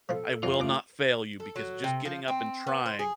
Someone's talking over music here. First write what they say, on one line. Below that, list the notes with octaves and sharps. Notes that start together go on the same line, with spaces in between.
I will not fail you because just getting up and trying
F3 B3 F4 A4
F2 D3 F4
D#2 A3 D6
A4
F#3
C3
F3
C4
B3
C5
G#4